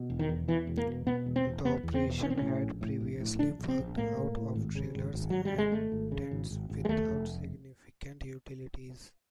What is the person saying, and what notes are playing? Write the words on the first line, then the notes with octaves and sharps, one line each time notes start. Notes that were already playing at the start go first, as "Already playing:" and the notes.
The operation had previously worked out of trailers and tents, without significant utilities.
Already playing: B2
E1
D#3
E2
E2 E3
E1
A#3
B2
B2 B3
E1
C4
E1
E1 B3
E2
C4
B2
A#1 C#4
C4
A2 C#4
A#1
A2
A#1
A2
A#1 D4
A#1
C4
A#1
A2 A#3
A2
A2
G#1
C#3
G#1
G#1
G#1 F#3
G3
G#1
G#3
G#1 A3
G#1
C#3
G#1
G#1
G#1
G#3
D#2 A3
F1